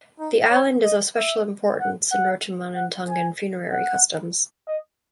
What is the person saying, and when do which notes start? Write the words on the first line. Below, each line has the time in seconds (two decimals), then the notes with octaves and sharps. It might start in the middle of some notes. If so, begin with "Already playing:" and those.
The island is of special importance in Rotuman and Tongan funerary customs.
0.19 D#4
0.51 C#5
0.83 D#5
1.16 E5
1.80 F#5
2.11 F#5
2.75 F#5
3.08 G#5
3.71 F#5
4.67 D#5